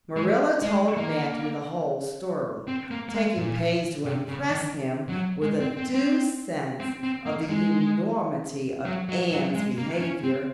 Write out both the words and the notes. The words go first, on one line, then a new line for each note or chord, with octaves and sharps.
Marilla told Matthew the whole story, taking pains to impress him with a due sense of the enormity of Anne's behavior.
G#3
G#3
A#3
C4
A#3
A#3
G#3
A#2
C3
C#3
D#3
F#3
G#3
C4
C4
C4
C4
C4
A#3
G#3
F#3
F#3
F#3
G#3
A#3
C#4
C4